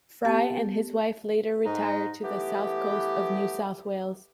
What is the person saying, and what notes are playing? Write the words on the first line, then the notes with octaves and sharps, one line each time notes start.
Fry and his wife later retired to the South Coast of New South Wales.
B3 G4 A5 A6
G#2 D#4
E3 A3 B3 G4